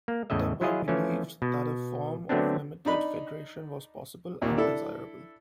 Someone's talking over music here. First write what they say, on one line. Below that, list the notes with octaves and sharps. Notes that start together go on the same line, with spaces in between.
Tupper believed that a form of limited federation was possible and desirable.
A#3
E2 A2 C#3 D#5 E5
F#3 E4 F4 G#4 D#5 F5
E3 F3 A3 C#4
B2
D3 F#3 A3 B3 C4 D4
D4 D#4 B5
D#2 A#2
D4 E4 A4